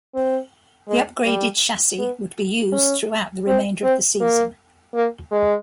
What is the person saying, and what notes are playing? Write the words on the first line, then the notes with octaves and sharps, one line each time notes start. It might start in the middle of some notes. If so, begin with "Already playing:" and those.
The upgraded chassis would be used throughout the remainder of the season.
C4
G#3
G3
B3
C#4
C4
C4
A#3
A#3
G#3